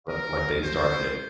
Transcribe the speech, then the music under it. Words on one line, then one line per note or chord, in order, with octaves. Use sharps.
But, like, they started it.
A#4
C5